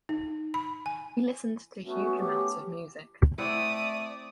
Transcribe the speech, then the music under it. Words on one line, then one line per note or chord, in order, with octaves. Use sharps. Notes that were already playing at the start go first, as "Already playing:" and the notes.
We listened to huge amounts of music.
D#4
B5
G#5
A3 B3 C#4 F#4
G4
A3 C4 E4 D5 F#5 D#6